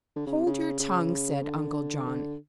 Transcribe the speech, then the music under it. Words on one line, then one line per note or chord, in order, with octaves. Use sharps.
"Hold your tongue," said Uncle John.
D3
C#3
C3
C#3
C#3
D3
D3